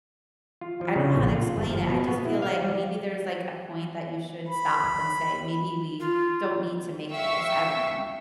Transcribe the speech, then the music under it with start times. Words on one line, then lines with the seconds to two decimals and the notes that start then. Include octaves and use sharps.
I don't know how to explain it, I just feel like maybe there's, like, a point that you should stop and say, "Maybe we don't need to make this." I don't know.
0.61 F4
0.81 F3
0.96 C#3
1.16 A#1
1.35 F4
1.56 G1
1.70 F3
1.89 B2
2.07 B3
2.25 E4
2.42 F5
2.62 G3
4.49 B5
6.00 F4
7.11 E5 F5 G5 C#6 E6